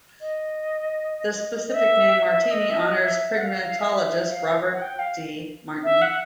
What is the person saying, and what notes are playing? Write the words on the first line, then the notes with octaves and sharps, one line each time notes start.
The specific name, "martini", honors primatologist Robert D. Martin.
D#5
D#5
E5
E5
D#5
E5
D#5
E5
E5
F#5
F5
F5
E5
F5
F#5
G5
F5
E5
F#5